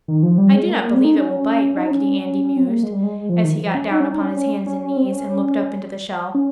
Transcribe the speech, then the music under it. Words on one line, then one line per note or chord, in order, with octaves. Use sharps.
"I do not believe it will bite," Raggedy Andy mused, as he got down upon his hands and knees and looked up into the shell.
D#3
F3
G3
G#3
A#3
A#3
C4
D#4
C#4
D#4
C#4
C4
A#3
G#3
G3
G#3
F3
D#3
F3
C#4
D#4
C#4
D#4
C#4
C#4
C#4
C#4
C4
C#4
C#4